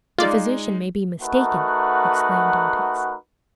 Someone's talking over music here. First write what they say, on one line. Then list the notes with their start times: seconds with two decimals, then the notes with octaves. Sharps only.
"The physician may be mistaken!" exclaimed Dantes.
0.19 G#3 D#4 F4 D5
1.22 A3 D#4 F#4 A#4 B4 F#5